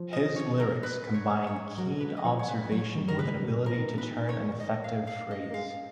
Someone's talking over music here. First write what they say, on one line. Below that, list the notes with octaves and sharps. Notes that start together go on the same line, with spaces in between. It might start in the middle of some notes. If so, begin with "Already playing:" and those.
His lyrics combined keen observation with an ability to turn an effective phrase.
Already playing: F3
D#5
C#5
A#4
B4
C#5
C#5
F#3 A#4
B4
D#5
F3 C#5
C#5
B4
F#3 C#5
D#3
D#3 A#4
C#3 B4
B2
F3 A#4
D#3
C#3
B4
D#3
C#5
D#5
F5
F5
D#5
A#3
G#3 F5